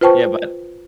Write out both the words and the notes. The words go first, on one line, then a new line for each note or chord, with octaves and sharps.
Yeah, but
F4 B4 C5 G5 A5 C#6